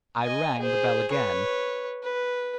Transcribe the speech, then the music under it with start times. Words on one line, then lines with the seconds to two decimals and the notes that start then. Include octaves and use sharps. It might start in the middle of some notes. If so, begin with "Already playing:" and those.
I rang the bell again.
0.20 D#5 G#5
0.59 G#4 C5
1.11 B4 C#5
2.03 B4